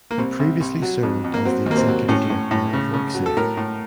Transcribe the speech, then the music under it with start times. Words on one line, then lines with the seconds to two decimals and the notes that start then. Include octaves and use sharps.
He previously served as the executive director of Worksafe.
0.11 A#3
0.18 C2 C4
0.39 C2
0.61 C2
0.82 F#3
1.03 F2
1.24 F2
1.34 A#3
1.45 F#3 C4
1.66 D#2 A#3
1.77 C4
1.88 F#3
2.09 A2 C#4
2.30 A2
2.51 A2
2.73 C#3
2.94 C#3
3.15 F#3
3.26 A4
3.37 A2 A#4
3.57 A2